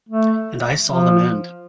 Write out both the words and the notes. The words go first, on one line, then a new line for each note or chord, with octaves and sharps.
And I saw them end.
A3
F3